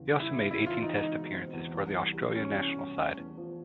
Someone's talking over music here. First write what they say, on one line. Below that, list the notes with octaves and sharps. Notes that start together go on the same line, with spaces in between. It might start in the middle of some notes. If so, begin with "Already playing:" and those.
He also made eighteen test appearances for the Australian national side.
Already playing: E2 C#3 E3
G3
E4
E2
C4 E4
E2 F4
D#4
G#3 D#4
B2
C4
E2
C2
C2
G3
B2 C#4
C2
C2
A3
E2
F3